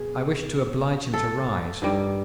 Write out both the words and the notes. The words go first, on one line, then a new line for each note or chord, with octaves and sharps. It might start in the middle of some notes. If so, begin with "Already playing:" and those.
I wished to oblige him to rise.
Already playing: B2 G#4
A4
G2 D#3 G3